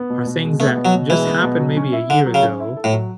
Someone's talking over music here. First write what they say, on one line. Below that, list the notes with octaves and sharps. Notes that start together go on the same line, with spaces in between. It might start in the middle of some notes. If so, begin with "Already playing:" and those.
are things that just happened maybe a year ago
Already playing: B3
B2
B2
G#3
A3 B3
B2
F#3
B2
E3 G#3
B3
B2
F#3
C#4
E4
D3 A4
F#3
C#3
C#4
E4
A4
A2
F#3